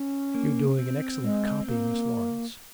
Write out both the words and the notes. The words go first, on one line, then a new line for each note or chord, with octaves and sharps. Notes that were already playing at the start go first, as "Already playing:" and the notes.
'You're doing an excellent copy, Miss Laurence.'
Already playing: C#4
A#3
C4
G#3
A#3